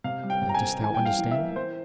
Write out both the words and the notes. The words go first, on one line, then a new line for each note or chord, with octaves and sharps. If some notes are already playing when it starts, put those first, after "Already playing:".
"And dost thou understand them?"
C3 F5
G3
G5
C3
A#5
G#5
C4
E3 G#5
G3 G5
F5
E3
E5
A#3
E3 C5